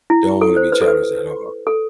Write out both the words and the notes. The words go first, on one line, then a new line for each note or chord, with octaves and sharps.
Don't wanna be challenged at all.
E4
A4
C5
B4
A4
B4
A4